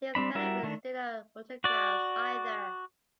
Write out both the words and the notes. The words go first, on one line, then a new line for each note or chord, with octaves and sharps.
These cannot be studio photographs either.
G3 C4 D4 B5
G3 E4 F#4 A#4 E5
D#3 A3 D4
F#4 D5